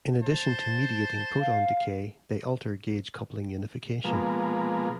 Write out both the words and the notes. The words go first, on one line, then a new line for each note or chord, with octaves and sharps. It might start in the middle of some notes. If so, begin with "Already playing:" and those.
In addition to mediating proton decay, they alter gauge coupling unification.
C5 A5
F5
B2 F3 G#3 A#3